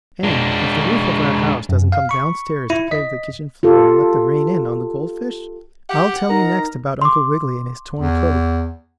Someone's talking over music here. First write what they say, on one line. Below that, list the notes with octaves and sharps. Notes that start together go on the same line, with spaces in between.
And, if the roof of our house doesn't come down stairs to play with the kitchen floor and let the rain in on the gold fish, I'll tell you next about Uncle Wiggily and his torn coat.
G#3 D4
F#2
F5
B5 C#6
E4
D#5 B6
F4 G4 A4
G4 F#5
D#4 A#4 A#5
C6 D6
E2